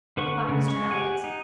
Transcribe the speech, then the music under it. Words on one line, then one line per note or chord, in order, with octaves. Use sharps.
"Good-bye, Mr. Elliott."
D3 B4 F#5 C#6
C#3
G#3 C#6
G4 F#5 G#5
D#4